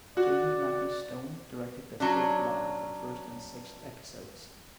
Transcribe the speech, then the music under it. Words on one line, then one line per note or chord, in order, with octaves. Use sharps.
Jamie Magnus Stone directed the third block of the first and sixth episodes.
F#4 D5
F#3 C#4 D4